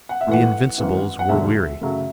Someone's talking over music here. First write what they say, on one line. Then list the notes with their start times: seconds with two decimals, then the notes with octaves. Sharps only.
The Invincibles were weary.
0.09 F#5
0.21 E5
0.27 A1 A2 E3 F#5
0.78 G#1 F#2 E3
1.19 F#5
1.29 E1 D2 D3 F#3 E5
1.81 F#2 C#3 F#3 A3